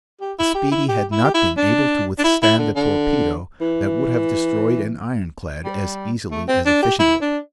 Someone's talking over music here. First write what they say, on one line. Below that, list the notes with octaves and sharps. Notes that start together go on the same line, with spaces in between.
The "Speedy" had not been able to withstand a torpedo that would have destroyed an ironclad as easily as a fishing-boat!
G4
E4
G4
E4
G4
E4
G4
E4
D4
D4
E4
E4
D3
D3
E3
G3
A3
C4
D4
G4
E4
D4